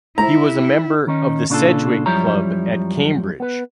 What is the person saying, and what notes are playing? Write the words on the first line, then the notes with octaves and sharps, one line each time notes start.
He was a member of the Sedgwick Club at Cambridge.
E4 A#5
D#3 C#4 D#4
A#2 C#3 D4 D#4 F4 A4
F#2 F3 G3 E4 C#5 A#5
B3 B4